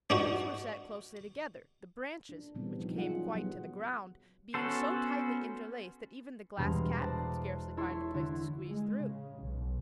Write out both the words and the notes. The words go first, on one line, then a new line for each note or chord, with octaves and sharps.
These were set closely together, the branches, which came quite to the ground, being so tightly interlaced that even the Glass Cat could scarcely find a place to squeeze through.
D4 D#4 F#4
D4
A#2 C#3 E3 G3 B3 C4
F3 G3 D#4
F#3 F4 G#4 F#5
F#3 G3 B3
B3 C#4 F#4 A4 C5
E1 B2 G3 C6 F6
C5 D5 A5 A#5 F#6
E4 A4 C#5 C6
D3 E4
G#3
C#3
B1